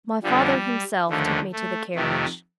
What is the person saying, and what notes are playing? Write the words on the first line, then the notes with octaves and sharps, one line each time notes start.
My father himself took me to the carriage.
F2 D3 F3 G3
D#2 D3 F3 A3
A3
F2 C3 D#3 A3